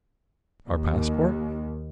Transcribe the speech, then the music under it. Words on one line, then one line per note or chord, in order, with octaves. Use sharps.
"Our passport?"
D#2